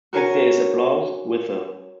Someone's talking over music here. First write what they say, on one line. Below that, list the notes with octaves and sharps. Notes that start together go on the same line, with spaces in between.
If there is applause, whistle.
F#4 A#4 C#5 G#5 A#5